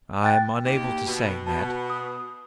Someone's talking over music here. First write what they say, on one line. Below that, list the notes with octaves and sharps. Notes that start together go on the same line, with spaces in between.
"I'm unable to say, Ned."
G5 F#6 A6
D#2 G4
B2
B2 A5
D#6